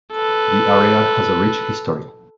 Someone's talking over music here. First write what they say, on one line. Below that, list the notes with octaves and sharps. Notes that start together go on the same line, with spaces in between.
The area has a rich history.
A4 B4